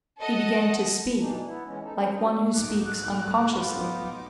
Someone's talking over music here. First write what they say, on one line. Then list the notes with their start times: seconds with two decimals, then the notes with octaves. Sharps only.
He began to speak, like one who speaks unconsciously.
0.19 A4 D#5 F#5
1.18 G2 B2 E3 D4 D#4
1.45 B3 E4
1.65 E3 G#3 C#4
1.83 G#2 D#4 A4
1.98 F2 C#4 G4 A#4 C5
2.15 F#3 G3 D4 D#5
2.57 B1 G#2 A3 D#4 D6 F#6
3.52 B3 F4